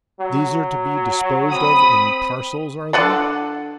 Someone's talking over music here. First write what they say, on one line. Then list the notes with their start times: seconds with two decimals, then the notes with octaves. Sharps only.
These are to be disposed of in parcels; are they?'
0.20 F#3
1.51 C4 B5 D#6
2.93 D3 F#5 A5